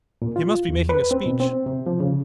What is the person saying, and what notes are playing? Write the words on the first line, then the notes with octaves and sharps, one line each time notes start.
He must be making a speech.
A#2
F4
E2
B4
C4
B2
C4
C3
F3
C#3